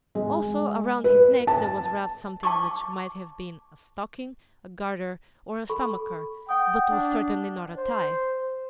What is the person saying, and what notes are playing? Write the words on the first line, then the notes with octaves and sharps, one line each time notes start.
Also, around his neck there was wrapped something which might have been a stocking, a garter, or a stomacher, but was certainly not a tie.
G#3
B4
A5
A5 C#6 D6
A4 B5 C#6
F#5 G5 D#6
D4
C5